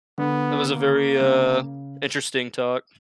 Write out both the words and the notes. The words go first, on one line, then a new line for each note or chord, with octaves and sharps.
That was a very, uh, interesting talk.
D3 B3
A#3
C#3